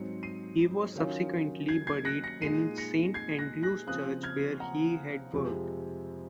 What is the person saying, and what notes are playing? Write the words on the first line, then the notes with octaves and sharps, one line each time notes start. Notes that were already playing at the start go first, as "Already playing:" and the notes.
He was subsequently buried in Saint Andrew's Church where he had worked.
Already playing: G#2 F#3 C4 D#4 C#7
C7 D#7
D#3 F#3 C#4 F4
G#6 C7
G#6 C7
F#6 A#6
A#6 C#7
A#2 G#3 D#4 C7 D#7
A#6 C#7
G#6 C7
F#6 A#6
F#6 A#6
C#3 F3 C4 D#6 F#6
F6 G#6
F#5 A#5
F2 C3 F3 G#3